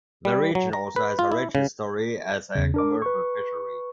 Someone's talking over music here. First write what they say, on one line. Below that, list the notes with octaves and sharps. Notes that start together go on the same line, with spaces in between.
The region also has a rich history as a commercial fishery.
G3
F#3
A#5
B4
F4
E4
C#3
E2 C#3
D4 A#4 D6
B4 C#6